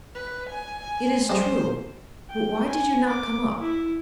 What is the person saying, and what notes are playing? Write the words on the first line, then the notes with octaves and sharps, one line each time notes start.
"It is true, but why did you not come up?"
B4
G#5
G3 G#3 C5 D#5
G5
G#5
D6
E4